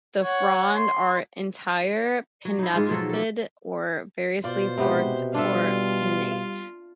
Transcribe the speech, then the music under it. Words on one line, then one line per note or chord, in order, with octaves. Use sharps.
The fronds are entire, pinnatifid, or variously forked or pinnate.
C#5 F#5
C6
F#3
D#4 E4
G#2 G#3 F4
B2 F3 F#3 A4
A#3 A4
B2 F4 C5 D5
G#2 C3 G#3 B3 G4
G3 D4 F4 A4 E5
F5